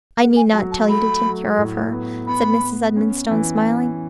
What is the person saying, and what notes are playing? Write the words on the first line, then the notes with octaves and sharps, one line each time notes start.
'I need not tell you to take care of her,' said Mrs. Edmonstone, smiling.
A3 F#5
G#5
F#3 A5
A5
A3 B5
F#3
A2
B3
B3 B5
B3
C#4
E3